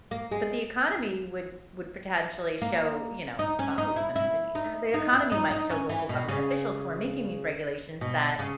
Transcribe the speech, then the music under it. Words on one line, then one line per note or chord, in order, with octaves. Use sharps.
but the economy would would potentially show, you know Bali's in Indonesia. The economy might show local government officials who are making these regulations that
A#3
G#3
A#3
D#4
C#4
D#4
E4
E4
D#4
D#4
E4
D#4
D#4
C#4
E3
B2
C#3
B2
C#3